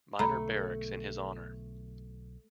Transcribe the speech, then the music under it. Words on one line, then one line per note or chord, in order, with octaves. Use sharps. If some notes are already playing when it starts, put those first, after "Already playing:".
Miner Barracks in his honour.
B1 D3 A3 A#5 B5